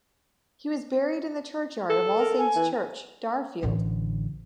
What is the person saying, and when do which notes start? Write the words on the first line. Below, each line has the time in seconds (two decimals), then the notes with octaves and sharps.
He was buried in the churchyard of All Saints Church, Darfield.
1.90 A4
2.17 A#4
2.38 G#5
2.56 E3
3.63 A1 D3